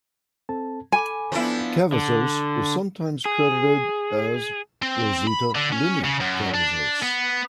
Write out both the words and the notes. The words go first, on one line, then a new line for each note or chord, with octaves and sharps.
Cavazos is sometimes credited as "Rosita Lumi Cavazos".
C4 A4 A5
A4 G#5 B5 D6
F3 B3 D4 E4
D3
G#4
C4
B5
D3
C#4
C#3
F#2
D4
B3